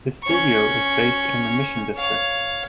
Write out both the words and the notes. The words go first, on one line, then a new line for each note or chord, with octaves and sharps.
His studio is based in the Mission District.
C#4 C#6
C#5 F5